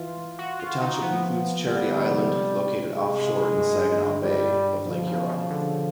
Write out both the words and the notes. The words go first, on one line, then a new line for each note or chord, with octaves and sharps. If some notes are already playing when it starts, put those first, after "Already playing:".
The township includes Charity Island, located offshore in Saginaw Bay of Lake Huron.
Already playing: E3 F4
F#4
F4
D#4
F3 B3
F3 G3
D3
C3
G#3
G2
G2 G3
B2 F3
C#3
C#3
D3